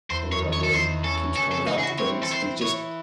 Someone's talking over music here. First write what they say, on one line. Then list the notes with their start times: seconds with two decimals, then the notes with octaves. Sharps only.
I know that word keeps coming up, but it's it's just
0.10 E2 C5
0.32 C#5
0.42 D#3
0.53 C#5
0.63 A4
0.73 E2 C5
1.04 C#4 A4
1.36 C#3 A4
1.51 A4
1.67 E3 D#4
1.78 G#4
1.83 F#4
1.98 C4 C#5
2.23 A4
2.30 E3 C5
2.62 E3 C#5